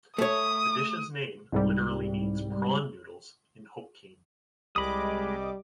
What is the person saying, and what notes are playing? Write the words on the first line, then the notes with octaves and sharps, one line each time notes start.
The dish's name literally means "prawn noodles" in Hokkien.
A3 C#5 D#6
C2 G#2 G3
C2 G3 G#3 D#5 B5 D6 D#6